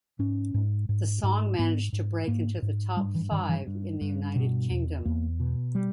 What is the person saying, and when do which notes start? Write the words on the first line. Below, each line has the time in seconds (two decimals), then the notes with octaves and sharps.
The song managed to break into the top five in the United Kingdom.
0.19 G#2 C#4
0.54 G#2
0.89 G#2
1.23 G#2
1.59 G#2 B3
1.93 G#2
2.28 G#2 A#3
2.62 G#2
2.97 G2 G3
3.15 E3
3.31 G2 D#3
3.49 E3
3.67 G2
4.01 G2
4.36 B2
4.71 E2
5.05 E2 A#3
5.40 B2
5.75 G3